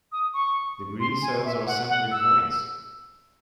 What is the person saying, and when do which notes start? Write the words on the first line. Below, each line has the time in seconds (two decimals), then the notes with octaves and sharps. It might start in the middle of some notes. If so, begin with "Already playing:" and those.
The green cells are sampling points.
0.12 D#6
0.34 C#6
1.00 C6
1.22 G#5
1.45 E5
1.67 F#5
1.89 F#5
2.12 E6